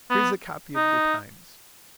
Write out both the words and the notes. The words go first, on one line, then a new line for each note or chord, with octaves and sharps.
Here is a copy of the Times.
B3
D#4